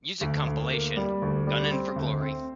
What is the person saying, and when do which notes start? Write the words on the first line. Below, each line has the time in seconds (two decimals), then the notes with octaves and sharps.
Music compilation "Gunnin' for Glory".
0.21 D2
0.47 D2
0.72 A#3
0.97 G3
1.22 D2
1.47 G3
1.71 C4
1.96 D2
2.22 C4